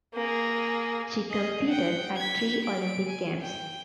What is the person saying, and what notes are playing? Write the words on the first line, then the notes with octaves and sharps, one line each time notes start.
She competed at three Olympic Games.
A#3 G#4
G#4 D#5
F#5 G5
G#6 B6
D7
G#5
G5